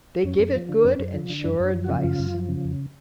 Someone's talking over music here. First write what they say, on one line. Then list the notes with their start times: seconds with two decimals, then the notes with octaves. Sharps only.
They give it good and sure advice.
0.24 F#2 C#4
0.39 F#2
0.55 F3
0.69 D3
0.85 F#2 C#4
0.99 F#2
1.14 F3
1.30 D3
1.44 F#2 D4
1.60 F#2
1.65 D4
1.74 F3
1.84 F#4
1.89 C#3
2.04 F#2 F4
2.19 F#2
2.34 F3
2.49 C#3
2.65 F2